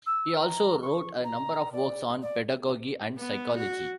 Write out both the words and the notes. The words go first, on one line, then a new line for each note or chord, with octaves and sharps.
He also wrote a number of works on pedagogy and psychology.
E6
A#5
C#6
A#5
D5
D5
B3
F#4